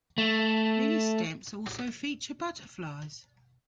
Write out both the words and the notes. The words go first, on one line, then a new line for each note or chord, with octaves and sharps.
Many stamps also feature butterflies.
A3